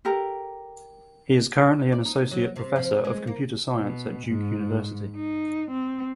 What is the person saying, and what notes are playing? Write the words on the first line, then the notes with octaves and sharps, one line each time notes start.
He is currently an associate professor of computer science at Duke University.
G4 A4 A#4 A#5
D5
D#4
F#3
C3
F3
D3
G#3
A#3
B2
G#2
D#4
C4